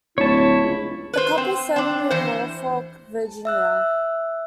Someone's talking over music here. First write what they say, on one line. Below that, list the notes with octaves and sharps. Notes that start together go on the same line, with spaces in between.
The couple settled in Norfolk, Virginia.
D1 E4 C#5 A5
C#2
B4 C5
C4
C4 D4
E3 C5
E5 E6 F#6